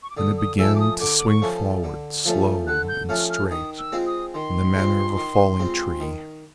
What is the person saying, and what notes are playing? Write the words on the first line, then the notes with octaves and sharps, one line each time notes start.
Then it began to swing forward, slow and straight, in the manner of a falling tree.
C#6
D6
D3 D#6
D#6
F3 A3 C#4 E6
D6
D#6
D3 D6
D6
C#6
F3 A3 C#4
D3
F3 A3 C#4
D3 F#6
G6
F3 A3 C#4 F6
F6
D#3 D#6
E6
G#3 C4 F4
D#6
D#3 C6
G#3 C4 F4
D#3
G#3 C4 F4
D#3